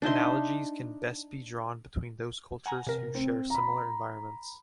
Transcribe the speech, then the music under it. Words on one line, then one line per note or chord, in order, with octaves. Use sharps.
Analogies can best be drawn between those cultures who share similar environments.
D4 D#4 E5 C6
F#5 G#5 A#5
C3 A#4
C4
A#5 B5